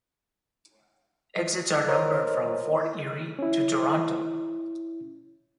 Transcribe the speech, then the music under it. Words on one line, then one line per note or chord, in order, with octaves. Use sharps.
Exits are numbered from Fort Erie to Toronto.
A#4 C5 C#5 D#5
C#4 E4